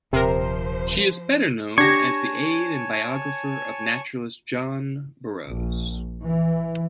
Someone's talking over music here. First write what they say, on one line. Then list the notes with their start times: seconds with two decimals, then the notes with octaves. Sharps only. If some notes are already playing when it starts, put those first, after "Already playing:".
She is better known as the aid and biographer of naturalist John Burroughs.
0.13 D#1 C3 F3 A#4 C5
1.78 D4 G4 C#5 G#5 A5 C#6 G#6 A#6
5.49 A#1
6.23 E3